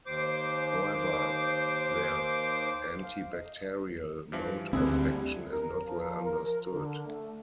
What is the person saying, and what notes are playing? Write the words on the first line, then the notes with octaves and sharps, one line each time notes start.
However, their antibacterial mode of action is not well understood.
D#2 C5 D6
F5
D#5
G2 E3 F3
D2 D3 G3 G#3 C4 E4 G#4 B4
A#4
F3
A#4
D3
A3